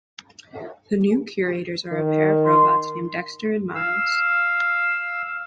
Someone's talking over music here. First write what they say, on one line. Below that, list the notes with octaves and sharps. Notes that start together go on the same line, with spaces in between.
The new curators are a pair of robots named Dexter and Myles.
D#3
C6
F5 E6